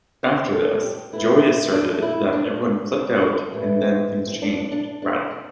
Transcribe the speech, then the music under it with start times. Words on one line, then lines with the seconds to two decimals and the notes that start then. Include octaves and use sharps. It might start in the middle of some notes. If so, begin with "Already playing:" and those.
After this, Joey asserted that everyone flipped out and then things changed radically.
0.23 C5
0.52 A4
0.82 G4
1.12 A2 E3 A3 E4
1.42 C4
1.73 D4
2.02 E4
2.33 D4
2.62 C4
2.91 D4
3.21 D4
3.53 A2 E3 G3
3.81 C4
4.27 C4
4.42 D4
4.57 D4
4.72 D4
5.02 D4
5.31 D4